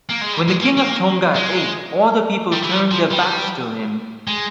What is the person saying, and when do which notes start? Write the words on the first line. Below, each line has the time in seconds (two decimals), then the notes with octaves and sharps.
When the king of Tonga ate, all the people turned their backs to him.
0.09 A#3
0.21 G#3
0.33 G3
0.48 G#3
0.62 A#3
0.77 A#3
1.36 G#3
2.52 G3
2.63 E3
2.72 F3
2.91 F3
3.11 G3
4.28 G#3